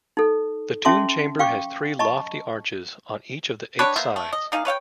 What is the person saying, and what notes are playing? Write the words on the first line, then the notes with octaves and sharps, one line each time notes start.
The tomb chamber has three lofty arches on each of the eight sides.
D#4 A4
C#4 E5 A5 C6 D6
F5 G5 C#6 D6
D#5 A5 A#5 C#6
G3 D4 B4 C#5
A#3 B3 C5 E5
A3
D#5
A#3 D#4 G#4 F5
B4 C#5 F5 G5